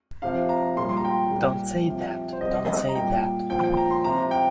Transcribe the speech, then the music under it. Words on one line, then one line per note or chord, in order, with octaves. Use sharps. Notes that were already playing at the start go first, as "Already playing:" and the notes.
Don't say that, don't say that.
C3 F3 F5
A#5
A#2 G3 C6
C6
A#5
G5
A#2 G3
C3 F3
C5
C3 G3 D#5
D#5
A#5
A#2 G3 G5
A#2 F3 G5
G5
A#5
C6
C3 F3 A#5
G5